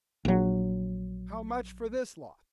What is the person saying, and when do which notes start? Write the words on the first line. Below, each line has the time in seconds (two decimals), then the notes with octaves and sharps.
How much for this lot?
0.25 A#1 F#3